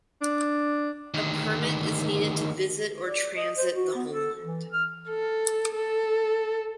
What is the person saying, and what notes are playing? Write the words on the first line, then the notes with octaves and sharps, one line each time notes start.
A permit is needed to visit or transit the homeland.
D4
D2 D#3
D5
D#5
C5
F#4
B3
A4
E3
F6
A4
A4